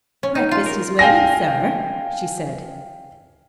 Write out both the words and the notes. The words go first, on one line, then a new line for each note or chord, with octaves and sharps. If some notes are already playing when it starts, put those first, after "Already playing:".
"Breakfast is waiting, sir," she said.
C#4
D#4
F4
A#4
F5 G5 G#5 A#6